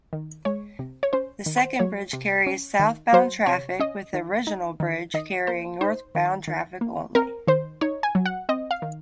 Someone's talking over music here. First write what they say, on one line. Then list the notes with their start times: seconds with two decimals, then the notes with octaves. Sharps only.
The second bridge carries southbound traffic, with the original bridge carrying northbound traffic only.
0.13 D#3
0.45 G#3 C#5
0.79 C3
1.03 C#5
1.13 C#4 C5
1.46 D#3
1.57 C5
1.79 F#3 C#5
2.13 C3
2.46 C#4
2.80 D#3
3.13 F#3 C5
3.46 C3 C#5
3.80 C#4 D#5
4.14 D#3
4.47 D#4
4.80 D#3
5.14 D#3 D#5
5.47 A#3 C5
5.81 D#4 C5
6.15 D#3
6.48 D#3
6.81 A#3
7.15 C4 A#4
7.47 D#3 C5
7.81 D#4 C#5
8.03 G#5
8.15 F#3
8.26 F#5
8.49 C4 D#5
8.71 F5
8.82 D#3